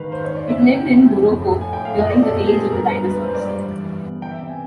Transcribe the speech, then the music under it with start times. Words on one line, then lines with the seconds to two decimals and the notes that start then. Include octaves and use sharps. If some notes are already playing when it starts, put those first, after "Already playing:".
It lived in Morocco during the age of the dinosaurs.
Already playing: G#2 D#3 B4 F5
0.12 G#2 C5
0.24 C#5
0.31 G#2
0.37 D5
0.49 C#3 E5
0.61 F#5
0.68 C#3
0.74 G5
0.86 C#3
1.04 F3
1.24 A2
1.42 A2
1.61 A2 G#5
1.73 G5
1.80 A2
1.85 F5
1.98 A#2 D#5
2.11 D5
2.17 A#2
2.23 A4
2.36 B3 G4
2.47 G#4
2.54 A#2
2.72 G2 A#4
2.91 G2 B4
3.10 G#3 B4
3.23 C5
3.28 G2
3.34 D5
3.48 G3
3.66 E3
3.85 E3
4.02 B3
4.21 E3 G5
4.32 E5
4.41 C3
4.49 G#5